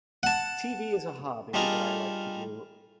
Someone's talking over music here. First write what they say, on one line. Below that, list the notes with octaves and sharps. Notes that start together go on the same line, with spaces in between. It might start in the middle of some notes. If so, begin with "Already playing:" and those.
TV is a hobby that I like to do.
F#5 A5
G3 D4 D#4 F4 G#4 A#4